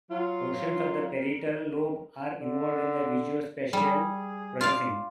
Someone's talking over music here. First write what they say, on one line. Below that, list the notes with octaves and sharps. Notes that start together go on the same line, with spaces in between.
Portions of the parietal lobe are involved with visuospatial processing.
F#3 F4
D3
G3 G#4
F4 D5 F5